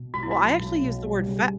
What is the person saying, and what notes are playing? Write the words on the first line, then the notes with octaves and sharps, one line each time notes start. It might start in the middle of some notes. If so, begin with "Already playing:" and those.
Well, I actually use the word fa
Already playing: B2
B1 F#4
E4
F#4
F#3
B1
B2
G3
C#3